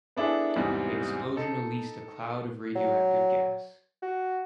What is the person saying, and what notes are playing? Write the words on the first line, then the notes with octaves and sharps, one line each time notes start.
The explosion released a cloud of radioactive gas.
B3 D4 E4 G#4 A4
E2 G#2 C3 G3
D#4 A4 D#5
F#3
F#4